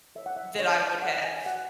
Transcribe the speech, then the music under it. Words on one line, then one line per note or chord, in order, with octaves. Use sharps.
that I would have"
A4 C#5 E5
F#5
E5
D4 C#5
D5
A4 C#5 F#5
G#5
F#4 F#5